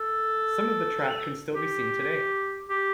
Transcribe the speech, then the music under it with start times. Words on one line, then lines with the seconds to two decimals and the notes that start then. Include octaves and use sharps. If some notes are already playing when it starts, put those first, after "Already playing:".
Some of the track can still be seen today.
Already playing: A4
1.55 G4
2.69 G4